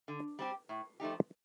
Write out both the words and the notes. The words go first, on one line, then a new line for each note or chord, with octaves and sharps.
Where there no such beings, men would not die.
D3
G3 C4 G4
A2
F3 A3 D#4 G4